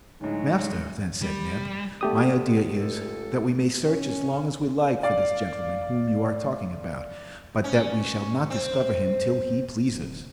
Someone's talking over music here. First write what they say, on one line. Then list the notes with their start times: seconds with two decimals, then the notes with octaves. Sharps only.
"Master," then said Neb, "my idea is, that we may search as long as we like for this gentleman whom you are talking about, but that we shall not discover him till he pleases."
0.20 D2 A2 F#3 G#3 D#4
1.22 G3
2.01 D3 A3 B3 G4 D#6
2.75 C#2 A4
3.86 C#4
5.03 D5 F5
7.64 C#4
8.50 C4
9.90 D1